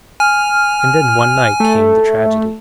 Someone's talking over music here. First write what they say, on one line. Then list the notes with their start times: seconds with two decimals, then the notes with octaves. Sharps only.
And then one night came the tragedy.
0.20 G#5 F6
1.60 A3